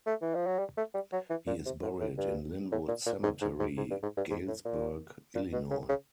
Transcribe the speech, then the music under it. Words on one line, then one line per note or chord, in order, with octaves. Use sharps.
He is buried in Linwood Cemetery, Galesburg, Illinois.
A3
E3
F3
F#3
G3
A3
G3
F#3
E3
A#2
C3
A2
A2
G2
A2
A#2
A#2
G#2
G#2
G#2
G#2
G2
G#2
G2
G#2
A2
A#2
A#2
B2
C#3
C#3